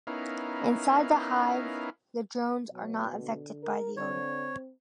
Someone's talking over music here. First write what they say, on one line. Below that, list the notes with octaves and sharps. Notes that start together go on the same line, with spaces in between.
Inside the hive, the drones are not affected by the odor.
B3 C#4 D#4 E4 A#4 F5
B2 F#3
D3
A#4
D3 C4 C#5